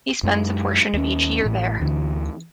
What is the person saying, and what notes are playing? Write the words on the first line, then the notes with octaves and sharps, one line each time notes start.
He spends a portion of each year there.
F#2 G#3
D#2 C#4
A1 A2
D2 D3 E3